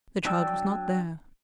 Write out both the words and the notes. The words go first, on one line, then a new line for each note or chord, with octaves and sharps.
The child was not there.
F#3 D4 D5 G5 E6